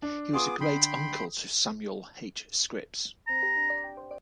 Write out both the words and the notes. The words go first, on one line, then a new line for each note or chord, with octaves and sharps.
He was a great uncle to Samuel H. Scripps.
D4
B3 F4 G#4 C6 D6 D#6
D3 G5 B5 C6
A#5